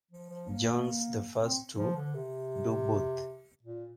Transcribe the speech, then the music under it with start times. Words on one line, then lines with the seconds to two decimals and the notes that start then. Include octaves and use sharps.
John's the first to do both.
0.11 F3
0.29 F3
0.48 A#3
1.41 C4
1.78 F3
1.96 D3
2.15 C3
3.63 A#2